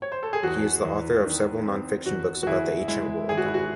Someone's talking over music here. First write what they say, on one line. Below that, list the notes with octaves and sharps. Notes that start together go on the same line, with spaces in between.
He is the author of several non-fiction books about the ancient world.
C#5
C5
A4
G#4
E2 F#4
E2
D#3
C4
E2 F#4
F#4
E2 E4 G#4
G#3 E4
G#1 G#4
F#4
E4
F#4